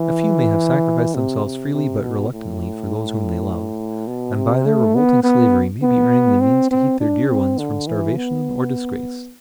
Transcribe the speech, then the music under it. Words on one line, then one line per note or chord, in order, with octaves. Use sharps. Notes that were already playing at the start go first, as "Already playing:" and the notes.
A few may have sacrificed themselves freely but reluctantly for those whom they love, and by their revolting slavery may be earning the means to keep their dear ones from starvation or disgrace.
Already playing: E3
C3
C3
C3
B2
A2
B2
C3
A3
B3
B3
B3
C4
C4
D4
C4
D3
E3
B3